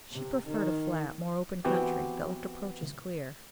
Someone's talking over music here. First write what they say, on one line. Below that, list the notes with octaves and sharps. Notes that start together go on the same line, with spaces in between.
She preferred a flat, more open country that left approaches clear.
C3
D#3
E3 B3 C4 F#4 G4